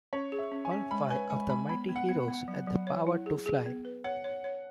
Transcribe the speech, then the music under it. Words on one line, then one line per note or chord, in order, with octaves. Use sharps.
All five of the Mighty Heroes had the power to fly.
C#4 C#5
G#4
E5
C#4
G#5
C#4
G#3 B5
B4 G#5
G#3 G#5
G#3 B5
B3 B5
B3
F#5
B3
B3
F#3
F#3
C#5
E4
G#4
G#4
B3
B4
C#5 F#5
C#5
C#5